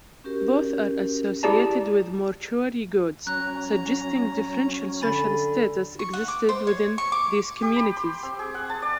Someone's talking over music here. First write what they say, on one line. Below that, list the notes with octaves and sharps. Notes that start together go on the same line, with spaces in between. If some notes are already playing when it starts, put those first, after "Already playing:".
Both are associated with mortuary goods, suggesting differential social status existed within these communities.
C#4 F#4 G4 A#4
E4 G4 G#4 D5 A5 A#5
F#3 C#4 A#5 F#6
D3 G#5 B5 A6
C#6
F#5
D6
C5
C#5
C#6
D6
G4
B5
C6
C4
G#4
F#5
A5
D5